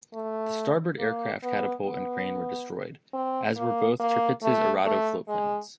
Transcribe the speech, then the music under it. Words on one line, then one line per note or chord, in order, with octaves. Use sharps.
The starboard aircraft catapult and crane were destroyed, as were both "Tirpitz"s Arado floatplanes.
A3
A#3
B3
B3
C4
A#3
A#3
A3
A3
G#3